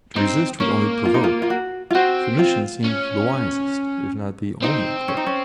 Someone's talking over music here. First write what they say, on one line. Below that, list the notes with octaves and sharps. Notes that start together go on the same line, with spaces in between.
To resist would only provoke; submission seemed the wisest, if not the only course.
C4 D#4
A#3 C#4
F4
D#4
F4
F4
F#4
F4
C4 F#4
F4
C#4
C4 D#4
C#4
D#4
C#4